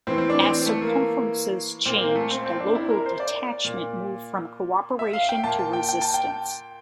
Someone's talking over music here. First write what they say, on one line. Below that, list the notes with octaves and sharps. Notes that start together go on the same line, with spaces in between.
As circumstances changed, the Local Detachment moved from cooperation to resistance.
A2 E3 C4
C4
D4
C4
A3
A#3
A#2 C4
A#3
A3
C4
C4
D4
E4
A#4
C5
D5
A#2
E5
F5
G5
A#2 A5
A5
G5
G5
A5
G5